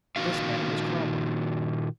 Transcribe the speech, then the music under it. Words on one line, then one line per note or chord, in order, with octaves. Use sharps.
This man was Cromwell.
A#2 D#3 A#3 D#4 F#4 F5